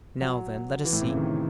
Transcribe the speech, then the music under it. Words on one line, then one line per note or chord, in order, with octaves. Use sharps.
Now, then, let us see.
F#3
E3
A2
C3
C#3
D#3